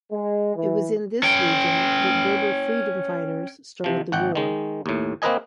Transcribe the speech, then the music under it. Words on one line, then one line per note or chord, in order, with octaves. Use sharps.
It was in this region that Berber freedom fighters started the war.
G#3
E3
C#4 G5
C3 F3
G#1 F#5 G5
D#3 G#3
D#2 A2
A#3 C4 A#4 B4 D#5 G#5